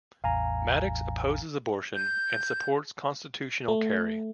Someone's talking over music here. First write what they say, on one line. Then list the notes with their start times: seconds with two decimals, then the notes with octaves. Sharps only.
Maddox opposes abortion and supports constitutional carry.
0.24 A1 E2 F5 G#5 A#5
1.95 G6
3.68 A3